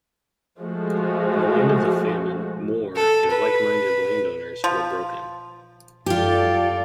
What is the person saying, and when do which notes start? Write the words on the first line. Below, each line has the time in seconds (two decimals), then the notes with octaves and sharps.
By the end of the famine Moore, and like-minded landowners, were broken.
0.59 F3 G#3 A3 F#4
2.95 A4
3.30 B4
4.64 F3
6.06 F#2 F4 G4 A4 D5